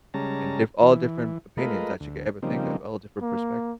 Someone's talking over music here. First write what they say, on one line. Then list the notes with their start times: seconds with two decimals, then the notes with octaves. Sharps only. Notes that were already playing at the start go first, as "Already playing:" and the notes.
and diff all different opinions that you could ever think of, all different perspectives.
0.14 C#3 G3 G#3 C#4 A5 A#5
0.82 E3
1.58 G#3 A3 F4 A#4 B4 D#5
2.00 D2
2.43 C#3 F3 G3 A#3 C4 D#4
3.22 A#3